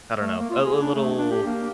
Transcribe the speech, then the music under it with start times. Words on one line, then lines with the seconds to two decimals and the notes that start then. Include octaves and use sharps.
I don't know, a l little,
0.20 A3
0.39 A#3
0.50 F4
0.65 G#4
0.81 D4
0.95 A3
1.18 D4
1.31 G4
1.46 A#3